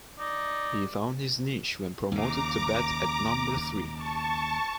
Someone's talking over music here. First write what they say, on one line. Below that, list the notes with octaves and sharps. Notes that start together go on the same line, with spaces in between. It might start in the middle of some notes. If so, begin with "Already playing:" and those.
He found his niche when promoted to bat at number three.
D#4 D5
D#2 C#3 A#5 D6
A5 C#6